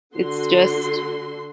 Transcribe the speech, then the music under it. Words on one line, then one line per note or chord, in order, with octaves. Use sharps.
it's just,
D3 F#4 C6